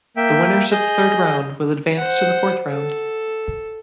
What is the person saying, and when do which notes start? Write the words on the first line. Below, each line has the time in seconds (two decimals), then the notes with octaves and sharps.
The winners of the third round will advance to the fourth round.
0.17 A#3 E5 G5
0.71 G#4 D#5 G6
1.97 C5 F#5
2.70 A4